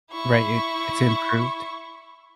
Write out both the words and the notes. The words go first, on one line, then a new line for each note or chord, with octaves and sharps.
Right. It It's improved.
E4 C#6